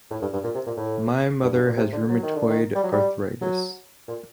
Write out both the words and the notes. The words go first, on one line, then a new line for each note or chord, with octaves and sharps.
My mother has rheumatoid arthritis.
A2
G2
G2
A#2
C3
A#2
A2
G2
G2
A#2
C3
D3
F#3
D#3
D3
D#3
G3
F#3
G3
F#3
A#2